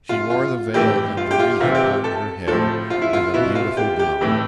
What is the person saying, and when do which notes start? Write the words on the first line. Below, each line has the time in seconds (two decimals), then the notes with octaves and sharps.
She wore the veil and the wreath upon her head, and a beautiful gown.
0.09 F4
0.30 F4
0.74 A2 E3 G4
1.17 F4
1.31 G4
1.39 F4
1.60 C3 E3 F4
1.75 G4
2.04 A4
2.47 A2 F3 A4
2.90 F4
3.02 E4
3.13 F4
3.34 B2 E4
3.55 F4
3.77 G4
3.99 G4
4.21 A2 E3